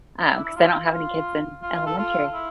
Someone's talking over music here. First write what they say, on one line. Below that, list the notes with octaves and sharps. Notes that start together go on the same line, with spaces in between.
um, 'cause I don't have any kids in elementary.
D4
E4
E4
F4
F4
F4
F4
A4
F4
E4